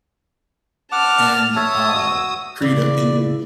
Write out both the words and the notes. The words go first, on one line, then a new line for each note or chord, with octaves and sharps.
and, uh, create a image
F#5 A5 D6 F6
C#5 E5 A5 D#6
F#4 E6
C#3 E3 D5